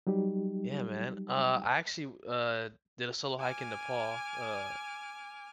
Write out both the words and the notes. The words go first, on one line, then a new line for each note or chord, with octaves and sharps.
Yeah man, uh, I actually, w uh, did a solo hike in Nepal, uh
F#3 G3 D#4 G4
G#5 D6 F6